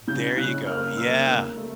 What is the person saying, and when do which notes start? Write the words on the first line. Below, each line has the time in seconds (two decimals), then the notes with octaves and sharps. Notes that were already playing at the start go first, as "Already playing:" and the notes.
There you go, yeah.
0.08 C#3 G6
0.37 C#3 F#6
0.67 A#3 F6
0.87 F6
0.97 A#3 E6
1.27 C#3
1.57 A3